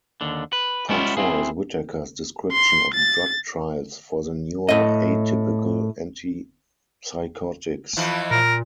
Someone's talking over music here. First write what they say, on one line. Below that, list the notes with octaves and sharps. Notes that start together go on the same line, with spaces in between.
Part Four is Whitaker's description of drug trials for the newer atypical antipsychotics.
D#2 D3
B4
G3 G#3 B3 C#4 E4 F4
C4 E4 G#4
C6
A6
A2 D#5
F2 E3 F3
A#2 A#4